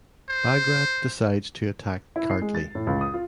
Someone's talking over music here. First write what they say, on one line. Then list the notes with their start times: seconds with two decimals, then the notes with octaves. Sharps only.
Bagrat decides to attack Kartli.
0.29 C5
2.16 E4
2.30 C7
2.41 G#3
2.55 A6
2.75 A2
2.87 C#2
3.01 D#6
3.14 F4